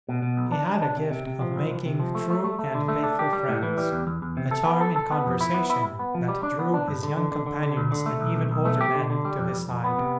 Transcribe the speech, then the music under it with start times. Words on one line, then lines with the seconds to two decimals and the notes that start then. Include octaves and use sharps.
He had a gift of making true and faithful friends, a charm in conversation that drew his young companions and even older men to his side.
0.09 B2
0.22 B2
0.37 B1
0.52 D4
0.67 D4
0.82 D4
0.97 C3
1.11 C3
1.27 C3
1.41 F3
1.56 C2
1.70 C2
1.86 C3
2.00 F3
2.15 A3
2.30 A3
2.44 A3
2.59 A3
2.75 D3
2.88 A3
3.03 D4
3.19 G4
3.33 G3
3.49 A2
3.63 E3
3.78 G3
3.92 E2
4.07 E2
4.22 E2
4.37 C3
4.51 A4
4.66 B3
4.81 A4
4.96 A4
5.11 B3
5.26 F2
5.41 E4
5.54 B3
5.70 E4
5.84 G2
5.99 B3
6.15 F3
6.28 G3
6.43 D4
6.59 B3
6.74 D4
6.88 G2
7.03 D3
7.17 D3
7.32 D3
7.47 D3
7.63 D3
7.77 D2
7.92 D3
8.06 A3
8.21 B1
8.35 B1
8.51 B1
8.65 A3
8.81 G4
8.95 D3
9.10 D3
9.25 G3
9.39 F2
9.54 F2
9.68 F2
9.84 B3
9.98 C3